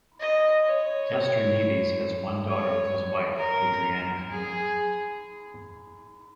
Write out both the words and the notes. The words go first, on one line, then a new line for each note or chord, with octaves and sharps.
Castroneves has one daughter with his wife, Adriana Henao.
D#5
C#5
C#5
A#4
G#4